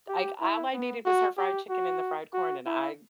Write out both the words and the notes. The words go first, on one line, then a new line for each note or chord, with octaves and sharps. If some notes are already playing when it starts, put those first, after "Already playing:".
Like, all I needed was her fried chicken and the fried corn, and I
G4
E4
B3
F#4
G4
F#4
F#4
E4